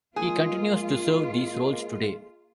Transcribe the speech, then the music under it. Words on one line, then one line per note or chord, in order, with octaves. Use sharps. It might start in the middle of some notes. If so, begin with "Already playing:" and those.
He continues to serve these roles today.
G#3 A#3 F4 G#4